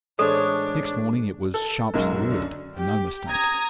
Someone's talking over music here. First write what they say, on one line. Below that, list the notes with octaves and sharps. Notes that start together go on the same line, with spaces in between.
Next morning it was 'sharp's the word', and no mistake.
A1 G#3 D4 A4 C5 C#5
A4
B1 F#2 F#3 G#3 A#4
D3 C#4
G4
A#5 D#6 G#6 A#6